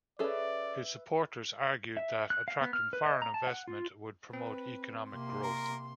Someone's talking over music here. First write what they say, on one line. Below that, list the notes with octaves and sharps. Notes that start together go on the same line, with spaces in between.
His supporters argued that attracting foreign investment would promote economic growth.
C#4 G#4 A4 B4 D5 E5
E5
F#6
F5
B3
F6
B4
D#5
A#5
A5
F#5
F4
C4 B4
C3 A#3 C6
A#4